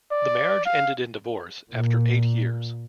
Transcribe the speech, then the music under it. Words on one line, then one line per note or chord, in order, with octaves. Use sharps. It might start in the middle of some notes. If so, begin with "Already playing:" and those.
The marriage ended in divorce after eight years.
D5
F5
A#2